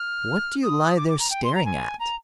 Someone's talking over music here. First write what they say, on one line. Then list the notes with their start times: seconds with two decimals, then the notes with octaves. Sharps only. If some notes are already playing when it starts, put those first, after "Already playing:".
'What do you lie there staring at?'
Already playing: F6
0.63 D#6
0.97 D6
1.09 D6
1.20 A#5
1.30 G5
1.44 C6
1.55 A#5
1.65 G#5
2.00 A#5